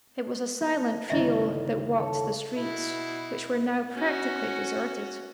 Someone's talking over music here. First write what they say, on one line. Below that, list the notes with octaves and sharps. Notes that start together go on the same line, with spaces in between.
It was a silent trio that walked the streets, which were now practically deserted.
B3 D4 G4
G1 D#2 C#3 E4 D#5 E5
A4 C#5
B2 E4
C#4 F#4